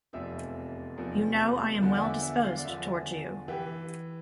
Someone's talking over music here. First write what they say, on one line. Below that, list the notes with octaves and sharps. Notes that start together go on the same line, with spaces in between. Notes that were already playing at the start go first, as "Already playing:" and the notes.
You know I am well-disposed towards you.
F1 E2 C3 F3 E5
F1 E2 C3 F3
E2 D3 F3
D5
E5
E5
F5
D5
E2 D3 F3 E5
E3 G4